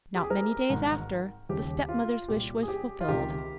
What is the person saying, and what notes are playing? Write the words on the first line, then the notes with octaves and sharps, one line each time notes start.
Not many days after, the stepmother's wish was fulfilled.
G4
G#4
A#4
G#1 G#2 D#3
D#2 C#3 G4
F4
C2 A#2 G4
G#4
G4
F4
C#2 C3 D#3 G4